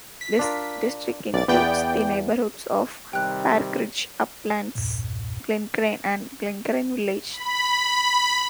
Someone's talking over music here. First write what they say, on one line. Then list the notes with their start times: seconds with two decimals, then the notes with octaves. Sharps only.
This district includes the neighbourhoods of Parkridge, Uplands, Glencairn and Glencairn Village.
0.21 B6
0.39 D4 F4 A#4
1.34 B1 D5 A6
1.48 E2 B3 D5 G5
3.13 C3 D#3 G3 G5 F#6
4.75 B1 E2 G2 A#2
7.33 B5